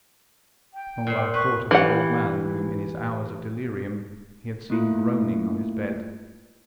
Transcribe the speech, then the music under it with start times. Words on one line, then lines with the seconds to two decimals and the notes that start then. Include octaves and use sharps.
Danglars thought of the old man whom, in his hours of delirium, he had seen groaning on his bed.
0.74 G5
1.07 A#2 C5
1.34 B4 C#6
1.71 E3 G4 F#5
4.70 A3 A#3 E4 F4